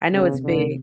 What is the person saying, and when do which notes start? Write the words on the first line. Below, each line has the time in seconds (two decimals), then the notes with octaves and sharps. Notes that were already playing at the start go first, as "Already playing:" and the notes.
I know it's big.
0.13 C#3 B3
0.33 C3
0.44 D3
0.54 C3